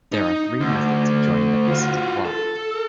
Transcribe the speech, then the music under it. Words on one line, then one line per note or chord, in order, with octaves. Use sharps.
There are three methods of joining the pieces of cloth.
D#4
D2
F4 F#4
A4